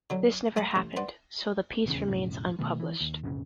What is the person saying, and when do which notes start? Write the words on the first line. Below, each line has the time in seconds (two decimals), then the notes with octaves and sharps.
This never happened, so the piece remains unpublished.
0.10 D3 F#3
0.56 A3 D#5 A5 B5 D6
0.76 A1
0.97 B4 C5 D5 F#5
1.86 D#1 E2 C#3
2.08 B1 F2 A2 C#3
2.59 B2 D#3 A3 B3
2.80 E3
3.01 D#2
3.24 D1 B1 F#2 C#3